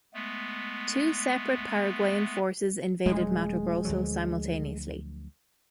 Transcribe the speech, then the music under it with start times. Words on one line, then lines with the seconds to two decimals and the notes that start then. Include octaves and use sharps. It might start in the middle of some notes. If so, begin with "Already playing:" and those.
Two separate Paraguayan forces invaded Mato Grosso simultaneously.
0.14 G#3 A3 B3
3.06 D#1 F#3 G#3 A3
3.85 D2 F3 F#3